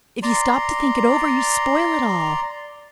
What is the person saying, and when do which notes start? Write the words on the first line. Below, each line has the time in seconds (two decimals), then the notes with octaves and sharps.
If you stop to think it over you spoil it all.
0.23 D5 A#5 C6